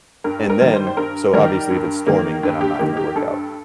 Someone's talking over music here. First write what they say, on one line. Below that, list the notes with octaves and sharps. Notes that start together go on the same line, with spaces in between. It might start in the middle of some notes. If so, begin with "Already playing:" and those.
And then so, obviously, if it's storming, then I'm not gonna work out.
G2 A#4
A#4
D#3 G3
C5
C5
G2 A#4
D#3 G3 A#4
G2
D#3 A#3
G2
G4
D#3 A#3 G4
G4
G2 A4